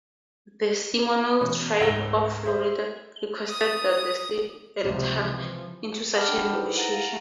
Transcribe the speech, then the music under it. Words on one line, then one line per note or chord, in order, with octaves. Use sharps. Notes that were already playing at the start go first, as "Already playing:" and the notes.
The Seminole Tribe of Florida requested that the state enter into such a negotiation.
B2 E3 C#4
C#2 G#2 F#5 E6 A#6 G7
C5 E5
D#6
C#2 C3 F3 F#3
E3 F3
G#4 F#5 A5 B5 D6 F6
D4 G5
D#4 E4 G#4 A4 B4 C5
F#5 A#5 A6 A#6
F5